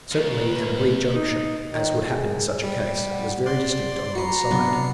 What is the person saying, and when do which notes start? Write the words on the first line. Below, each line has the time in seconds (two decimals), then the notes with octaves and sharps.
Certainly an oblique junction, as would happen in such a case, was very distinct on one side.
0.11 D#2
0.40 B4
1.15 D#4
1.72 D#3
2.06 G#4
2.64 G3
3.12 F#5
3.46 D5 C6
4.15 F#4 B4 A#5 C7 C#7
4.51 C3 F#3 B3 D4